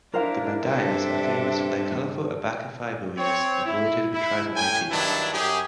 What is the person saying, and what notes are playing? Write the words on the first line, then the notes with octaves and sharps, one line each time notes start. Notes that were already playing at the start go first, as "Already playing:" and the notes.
The "Mandayas" are famous for their colorful abaca fiber weaves embroidered with tribal motifs.
D4 E4 A#4 C5 F5
G2 C4 D4 A4 E5
C4 C#5
E4
E4
A2 G5 G#5
G2 D#3 F#3 D4 E4 A5
F#2 G4 G#4